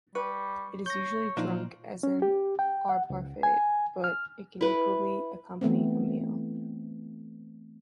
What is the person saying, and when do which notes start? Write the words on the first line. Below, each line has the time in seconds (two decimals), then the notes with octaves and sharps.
It is usually drunk as an aperitif but it can equally accompany a meal.
0.15 G3 B4 C#6
0.86 C#5 G6 A#6
1.37 A#2 F3 D4 D#4 F4
2.03 C#4
2.22 G4
2.59 G5
2.89 F#5
3.10 C#2
3.43 G#5
4.04 F6
4.61 E4 B4
5.61 E3 A3 B3 C4